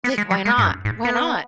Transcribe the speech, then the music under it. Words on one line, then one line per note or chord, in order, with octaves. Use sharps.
Like, why not? Why not?
B3
G#3
F#3
G#3
G#2
F#2
G#2
B3